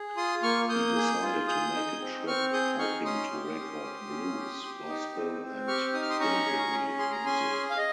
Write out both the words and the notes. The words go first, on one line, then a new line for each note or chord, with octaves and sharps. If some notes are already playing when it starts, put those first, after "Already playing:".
He decided to make a trip, hoping to record blues, gospel and "hillbilly" music.
Already playing: G#4
F4 C6 D#6
A#3 C#6 F6
A#3 D#6 G6
G#4
F4
G#4 D#6 G6
D#4
C4
C4 C#6 F6
G#4 D#6 G6
D#4 C#6 F6
C#4 C6 D#6
G4
C#4
G4
C#4
G4
G4
D#4
C4
C4
G4 C#6 F6
D#4 D#6
F6
C6 D#6
C#4 A#5 C#6
G#4
C#4
G#4 C6
A#5
C#4 G#5 C6
G#4
F5
D#5